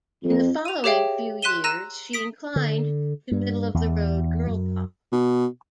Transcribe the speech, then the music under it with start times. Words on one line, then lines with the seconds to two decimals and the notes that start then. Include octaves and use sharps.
In the following few years, she inclined to middle-of-the-road girl pop.
0.24 F2
0.65 D#7 F7
0.84 G4 G#4 C#5 E5 F5 G5
1.42 C6 F#6 B6 D#7 E7 G7
1.64 A#5 E6 F#6 A#6 D#7 E7
2.13 D#6 B6 D7
2.56 D3
3.31 G2
3.74 E2
4.47 F#2
5.12 B2